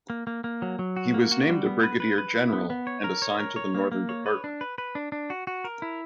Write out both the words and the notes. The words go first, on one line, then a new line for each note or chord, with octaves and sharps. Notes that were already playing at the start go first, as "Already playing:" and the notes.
He was named a brigadier general and assigned to the Northern Department.
A#3
A#3
A#3
F#3
F#3
F#4
A#3
F#4
G3
B3
B4
B4
B4
E4
B3
B3
C#5
A#4
C#5
A#4
C#5
A#3
A#3
C#5
B4
D4
B4
B4
D4
D4
F#4
F#4
A#4
E4